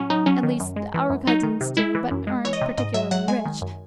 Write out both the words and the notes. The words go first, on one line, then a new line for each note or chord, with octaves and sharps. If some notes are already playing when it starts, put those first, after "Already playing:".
At least, our cousins do, but aren't particularly rich.
Already playing: A2 F#3 C#4
F#3 D#4
F#3 C#4
D#3
F#2
G#3
E3
F#2
F#3 D#4
D#3
C3
G#3 E4
E3
F#2
G#3
E3 C#5
D#5
C3
G#2 D#5
F#3 E5
F#3 F#5
G#3 G#5
D#3
F#2